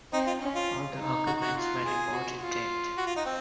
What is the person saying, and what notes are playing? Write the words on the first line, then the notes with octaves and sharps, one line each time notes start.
All the occupants were reported dead.
C4 D#4
F4
C#4
F4
D#4
F#4
F#4
F4
G#4
F#4
F4
F#4
F4
D#4
C4